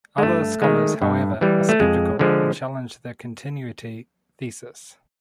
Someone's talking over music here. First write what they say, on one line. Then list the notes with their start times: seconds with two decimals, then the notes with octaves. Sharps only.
Other scholars, however, are skeptical and challenge the continuity thesis.
0.18 G#3
0.23 G2 A3
0.62 D#3 G#3
1.02 G2
1.41 E3 G3
1.69 A3
1.80 F2 G#3
2.19 D3 F3 G#3